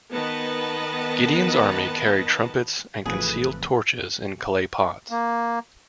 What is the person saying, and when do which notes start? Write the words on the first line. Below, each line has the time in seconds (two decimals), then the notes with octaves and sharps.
Gideon's army carried trumpets and concealed torches in clay pots.
0.13 D#3 B3 B4 D#5 A5
3.06 G#1 C3 E3 F3 A3 G#4 A4 B4
5.11 A#3